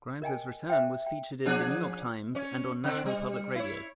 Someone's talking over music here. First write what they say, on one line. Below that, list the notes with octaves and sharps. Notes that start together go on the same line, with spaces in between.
Grimes's return was featured in "The New York Times" and on National Public Radio.
A#4 D#5 G5 G#5
C5 E5 G5
G5
F3 D4 G#4
C#4 C#5
D3 C4 D4
G3
E4 C#5